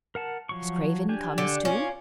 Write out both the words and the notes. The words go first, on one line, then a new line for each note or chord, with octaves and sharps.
Miss Craven comes too?
A#4 F#5 A5
F3 F#3 C#6
D4 G4 G#5
D3
C#4 F4 D5